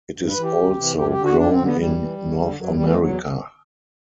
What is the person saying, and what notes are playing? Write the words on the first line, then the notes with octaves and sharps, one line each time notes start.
It is also grown in North America.
G2
B4
E3
G4
D2
C3 E3
F#2 G4
G4
D3
F#4
F#2 D4
C4
D3
B3
F#2 G3
E3
F#2
D3
F#2 F#3
G3
E3
A3
E2 F#3